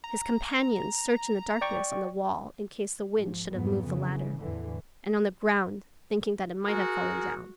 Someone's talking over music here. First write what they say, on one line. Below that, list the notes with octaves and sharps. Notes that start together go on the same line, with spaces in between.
His companions searched in the darkness on the wall, in case the wind should have moved the ladder, and on the ground, thinking that it might have fallen down....
A#5
D5 G5 C#6
G#2 F3
F2 G#2 F#3 B3
C#3 E3
E2 A2 D3 E3
F#4 G#4 A#4